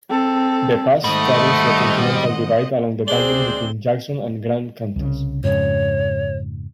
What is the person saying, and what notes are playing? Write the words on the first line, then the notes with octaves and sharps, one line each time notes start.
The pass straddles the continental divide along the boundary between Jackson and Grand counties.
C4 A4
G#2 D#3 G3 A3 C5 D#5 F#5
D2 G#3 C4 D4 G#4 C5 D5 G7
C2 C#3
F2 G#2 C#3 C#5